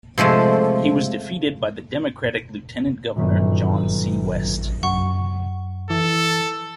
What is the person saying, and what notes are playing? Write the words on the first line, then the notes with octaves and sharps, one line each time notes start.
He was defeated by the Democratic lieutenant governor, John C. West.
C3 F3 G#3 A3
G1 F#2 A#2 D#3 F#3
F#2 F#5 C#6
E3 A4